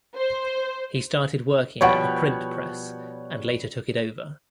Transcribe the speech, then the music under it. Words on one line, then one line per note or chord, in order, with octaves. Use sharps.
He started working at the print press and later took it over.
C5
B2 F3 G3 C#5 F#5